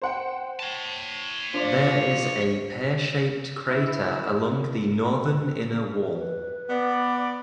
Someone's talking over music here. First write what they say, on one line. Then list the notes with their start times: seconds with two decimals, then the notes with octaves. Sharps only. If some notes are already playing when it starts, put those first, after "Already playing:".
There is a pear-shaped crater along the northern inner wall.
0.02 C5 F#5 G5
0.59 C#5 A5
1.54 F3 D4 D5
3.69 E4
6.13 B4
6.70 B3 D5